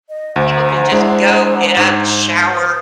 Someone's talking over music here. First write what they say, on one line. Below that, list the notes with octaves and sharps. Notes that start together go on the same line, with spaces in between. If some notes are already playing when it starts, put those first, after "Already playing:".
some people can just go, get up, shower,
D#5
D2 C5 F#5 A#5
G#3 D4 E4
G#2
B4 D#6 G6